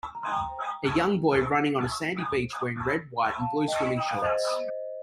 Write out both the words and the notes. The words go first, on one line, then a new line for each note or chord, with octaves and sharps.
A young boy running on a sandy beach wearing red, white, and blue swimming shorts.
A#5
C6
G5 A#5
F5 A5
D#5 G5
G5
F5
C5 D#5